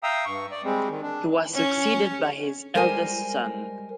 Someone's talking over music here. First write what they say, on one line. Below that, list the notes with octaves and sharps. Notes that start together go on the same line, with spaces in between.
He was succeeded by his eldest son.
E5 F5 G5 A#5 D#6 E6
G2 C#6
D5
G3 G#3 C4
D#3
D4
C#4
G3 G#3 A#4 C5 G#5